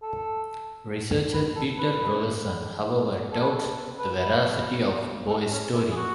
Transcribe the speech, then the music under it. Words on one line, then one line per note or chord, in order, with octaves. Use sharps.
Researcher Peter Rogerson, however, doubts the veracity of Boas' story.
A4
B4
A4
B4
A4
B4
A4
B4
B4
A4
C#4
E4
G#4
F#4